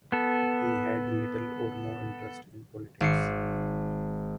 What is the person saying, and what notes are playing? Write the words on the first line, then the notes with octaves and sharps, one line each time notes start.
He had little or no interest in politics.
B3 A4
G#1 C7 C#7